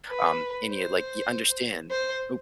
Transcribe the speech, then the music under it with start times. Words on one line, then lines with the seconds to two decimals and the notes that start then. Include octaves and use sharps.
um, and you, like you understand. O
0.10 B4
0.70 C5
1.91 C5